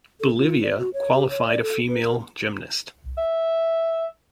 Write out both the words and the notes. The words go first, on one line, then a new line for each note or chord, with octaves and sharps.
Bolivia qualified a female gymnast.
A4
F4
D5
F#4
C#5
G4
C#5
D5
A4
B4
A#4
E5